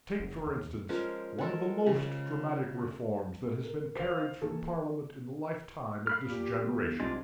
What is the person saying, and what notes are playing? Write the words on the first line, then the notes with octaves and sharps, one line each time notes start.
Take, for instance, one of the most dramatic reforms that has been carried through Parliament in the lifetime of this generation.
F#1
D#2
F3 G#3 C#4 A#4
G#3 A4 A#4
C#3
A#4
C5 F5
E3 A#3 G#4 A4
F5 B5 F6
A#2 G4
G1
C2 G#3 D4 F4